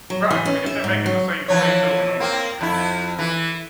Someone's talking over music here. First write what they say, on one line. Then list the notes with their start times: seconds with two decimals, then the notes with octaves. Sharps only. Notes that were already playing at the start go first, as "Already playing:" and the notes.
Right. I mean, if they're making the same mistakes over and over, I mean,
0.10 F#3
0.31 E3
0.45 C#4
0.66 E5
0.84 G#2
1.06 F#3
1.48 E3 F3 C#5
2.20 A#3 C4
2.61 F2 E4
3.19 E3